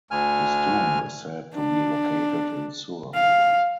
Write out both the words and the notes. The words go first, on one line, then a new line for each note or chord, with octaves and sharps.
His tomb is said to be located in Sur.
D2 G#5 F6
D4
F5